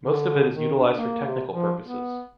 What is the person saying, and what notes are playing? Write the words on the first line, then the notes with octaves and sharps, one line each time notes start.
Most of it is utilized for technical purposes.
D3
D#3
D4
A#3
C3
F3
B3